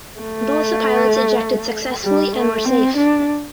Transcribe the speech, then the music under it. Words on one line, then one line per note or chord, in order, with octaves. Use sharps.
Both the pilots ejected successfully and were safe.
A3
G3
A3
C4
D4